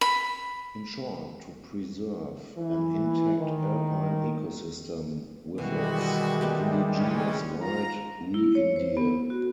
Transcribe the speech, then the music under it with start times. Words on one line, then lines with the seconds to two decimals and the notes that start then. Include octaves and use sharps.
In short: To preserve an intact alpine ecosystem with its indigenous wild reindeer.
0.01 B5
2.58 E3
3.40 D#3
5.58 B2 D#3 E3 G3 G#3 F#4
6.01 D#5
6.41 A3 B3 G4
6.97 C#3 E3 C#4
7.61 F4 A#5
8.34 E4
8.55 C#5
8.76 C5
8.97 B3
9.30 F#4